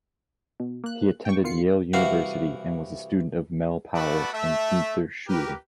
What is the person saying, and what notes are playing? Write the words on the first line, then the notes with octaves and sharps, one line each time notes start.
He attended Yale University and was a student of Mel Powell and Gunther Schuller.
B2
A#3 F#6
G5 C#6
B2 D#3 F4 C7 C#7
C2 E3 F#4 F5 F#5
A3 B3 F#4 D5 A5 B5
A3 E5
G4 A#4 B4